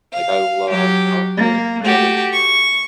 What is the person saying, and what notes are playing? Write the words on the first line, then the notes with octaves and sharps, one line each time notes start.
Like, I love chocolate strawberries.
F5
F#3 G4
A#3
A3 F#4 G4
C#6